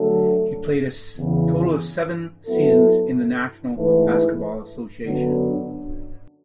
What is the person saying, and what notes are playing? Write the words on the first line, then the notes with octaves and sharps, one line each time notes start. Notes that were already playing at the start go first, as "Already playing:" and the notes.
He played a total of seven seasons in the National Basketball Association.
Already playing: D3 F#3 A3 D4 A4
E2 C#3 E3
F#3 B3 E4 A4
G#2 E3 A3 E4 B4
F#2 D3 F#3 B3 D4